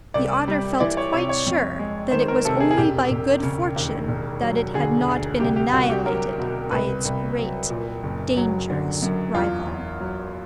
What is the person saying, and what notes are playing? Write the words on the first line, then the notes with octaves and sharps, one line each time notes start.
The otter felt quite sure that it was only by good fortune that it had not been annihilated by its great, dangerous rival.
C2 D5
G3
E3 D5
C#5
C3 C#5
C#5
F2
G#3
D#3 C5
A#4
C3 A4
G#4
G#4
E1 G4
E1
C#3
D#2
E1
F#3
D3 G#4
D2
C2 G4
G4
C2 F#4
G4
F#3 A#4
B2
C2 B4
C2
F#3
A#2
F#1
F#3
D3
F#2
E2 F4
E2
F#3